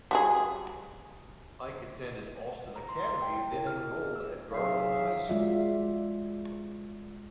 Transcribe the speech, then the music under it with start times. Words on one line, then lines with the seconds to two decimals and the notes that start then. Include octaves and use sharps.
Ike attended Austin Academy, then enrolled at Garland High School.
0.11 G3 F#4 G#4
2.76 A#5
2.89 C6
3.22 G5
3.36 E4
3.52 A#4
3.67 F6
3.96 G#4
4.16 E6
4.51 F#3 D#4 G#4 E5 F5
5.29 G#3 F4 F#4 D5 E5